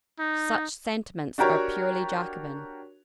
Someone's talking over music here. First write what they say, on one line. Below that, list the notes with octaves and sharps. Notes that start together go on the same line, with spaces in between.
Such sentiments are purely Jacobin.
D#4
D4 F#4 G4 A#4 C#5